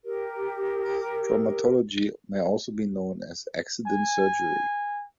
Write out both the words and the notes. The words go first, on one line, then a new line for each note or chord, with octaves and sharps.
Traumatology may also be known as "accident surgery".
G4 A#4
G#5